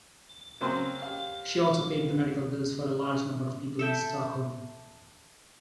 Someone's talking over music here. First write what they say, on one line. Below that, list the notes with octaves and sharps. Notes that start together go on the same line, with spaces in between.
She also paid the medical bills for a large number of people in Stockholm.
C#3 F#3 A#3 C4 C5 C6
G4 F5
A4 E5 G5